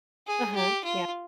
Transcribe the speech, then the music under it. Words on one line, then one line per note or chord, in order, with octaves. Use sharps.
Uh-huh, yeah.
G#4
G4
F4